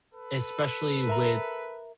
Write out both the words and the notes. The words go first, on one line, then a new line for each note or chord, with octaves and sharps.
especially with
A4 B4
A#4 E5 A#5